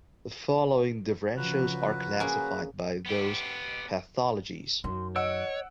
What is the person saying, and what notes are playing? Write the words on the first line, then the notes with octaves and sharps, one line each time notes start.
The following differentials are classified by those pathologies.
C#3 F3 F#3 F#4 B4
A#3 C#4 G#4
B3 G4
F#2 D#3 C6
C#5 D#5 F#5 E6 D7